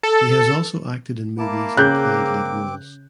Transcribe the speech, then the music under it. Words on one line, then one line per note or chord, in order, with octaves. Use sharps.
He has also acted in movies and played lead roles.
A4
A#3 E4 A5 D6
C#3 C4 D6 F#6 G6